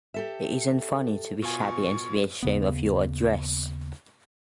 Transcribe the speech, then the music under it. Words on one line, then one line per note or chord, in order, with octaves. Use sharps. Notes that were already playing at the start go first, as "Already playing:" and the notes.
It isn't funny to be shabby and to be ashamed of your address.
G4 A4 E5
B2 F4 G#5 C#6
D#2 C#3 B3